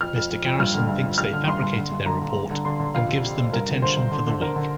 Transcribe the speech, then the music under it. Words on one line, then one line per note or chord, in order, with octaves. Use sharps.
Mr. Garrison thinks they fabricated their report and gives them detention for the week.
F2 F6
F2
F2
F2
G2 F6
D3
G2
G2
G2 F6
D3
G2 C6
G2
D3
G2
D3 A#5
D3
G2
D3
D3 C6
D3
F2 F5
C3
C3
C3
G2 A#4
D3
D3 C5
G2
D3
D3
D3 A#4
D3